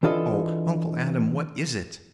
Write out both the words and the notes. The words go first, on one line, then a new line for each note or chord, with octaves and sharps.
"Oh, Uncle Adam, what is it?"
E3 D4 F4 A4 D#5